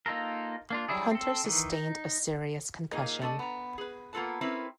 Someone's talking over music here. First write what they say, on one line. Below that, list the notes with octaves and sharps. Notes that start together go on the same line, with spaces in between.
Hunter sustained a serious concussion.
A#3 D#4 F4 A4 A#4
A#3 D4 F4
F#3 G3 D4 E4 G#4
C4 A4
D#3 E3 D#4
D#4
A#2 A#3 D#4 G#4 A#4 D#5
A3 D4 A4 D#5 A5
B3 A#5
G#4 B4
A#3 B3 F4 A4 B4 A5
C4 C#4 E4 G4 A#4 B4